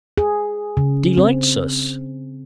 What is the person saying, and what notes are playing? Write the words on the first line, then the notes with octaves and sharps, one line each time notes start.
Delights us.
G#4
C#3
C4